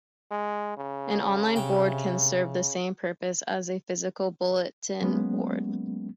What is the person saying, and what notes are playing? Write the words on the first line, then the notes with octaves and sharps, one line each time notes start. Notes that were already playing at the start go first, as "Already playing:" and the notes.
An online board can serve the same purpose as a physical bulletin board.
G#3
C#3
C3 G5
F#3 G#3 A#3 B3 C#4